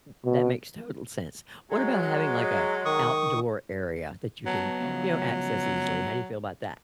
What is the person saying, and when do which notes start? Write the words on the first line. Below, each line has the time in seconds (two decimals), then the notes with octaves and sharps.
m that makes total sense. What about having, like, a outdoor area that you can, you know, access easily, how do you feel about that?
0.25 B2
1.70 F#3 G#3
2.85 D#3 C#6 D#6
4.46 F#3 B3 A5
4.80 C#3 F3 B3